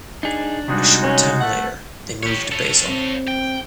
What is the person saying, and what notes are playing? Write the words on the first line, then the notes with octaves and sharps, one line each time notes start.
A short time later they moved to Basel.
D4 D#4 G#4
C3 G3 G#3 D#4 F#4
C#4
A3 F#5
G4 C#5
A4 C#5
C4
G5